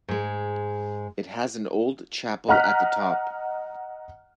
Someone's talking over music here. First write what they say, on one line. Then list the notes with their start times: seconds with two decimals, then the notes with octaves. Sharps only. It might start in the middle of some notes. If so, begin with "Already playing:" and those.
It has an old chapel at the top.
0.08 G#2 G#3
2.48 D#5 F#5 A#5 F6 F#6 B6